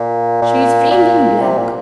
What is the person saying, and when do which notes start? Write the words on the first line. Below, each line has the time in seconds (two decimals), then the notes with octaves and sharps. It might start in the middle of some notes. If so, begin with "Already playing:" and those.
'She's framed in black.
Already playing: A#2
0.42 A#2
0.91 A#2
1.41 C3
1.57 A#2